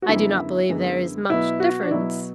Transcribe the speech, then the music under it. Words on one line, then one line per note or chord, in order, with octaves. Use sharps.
"I do not believe there is much difference."
F#4
F#2 D3 G#3 B3 E4
F#2 D3 G#3 B3
B2 F#3 B3 E4
F#4
D4
B2 F#3 B3 E4